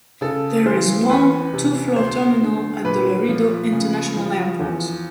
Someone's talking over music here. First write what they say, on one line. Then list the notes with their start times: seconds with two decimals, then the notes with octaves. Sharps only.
There is one, two-floor terminal at the Laredo International Airport.
0.21 C#3 A4
0.65 E3 C5
1.09 E2 B4
1.53 C3
1.96 D2 C5
2.41 D3
2.85 A#2 B4
3.29 F3
3.72 C#3
4.16 F3
4.60 E2